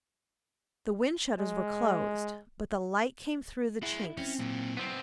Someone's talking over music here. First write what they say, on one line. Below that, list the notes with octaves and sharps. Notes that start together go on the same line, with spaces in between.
The window-shutters were closed, but the light came through the chinks.
G#3
E4 G#4 F#5
C4 C#4
A#2 F#3 E4
B3 C4